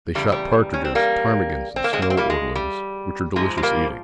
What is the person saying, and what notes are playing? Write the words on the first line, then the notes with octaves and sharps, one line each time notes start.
They shot partridges, ptarmigans, and snow ortolans, which are delicious eating.
E2 C#3 G3
G3
C#4
C4
G3 A#3
C4
A#3
G#3 C4
A#3
C4
G3 A#3
G#3
G3
G#2 F3 G#3
G#3
G3 A#3